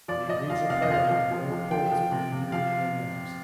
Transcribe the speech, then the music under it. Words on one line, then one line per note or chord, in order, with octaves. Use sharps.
One breathes a prayer that the Road holds for the few remaining hours.
F3 D5
F3 D#5
F3 F5
C3 F5
D#5
F3 F5
F3
F3
F3
F3 G5
F3
C3
C3
F3 F5